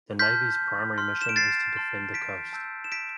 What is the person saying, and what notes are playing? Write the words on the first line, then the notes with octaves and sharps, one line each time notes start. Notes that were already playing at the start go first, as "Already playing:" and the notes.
The Navy's primary mission is to defend the coast.
A5 C6 F6 G6 B6
C6 F6
E7
D7
A6 C7
A5 C6 F6
B6 D7
A5 E6 G6
E7
B6 D7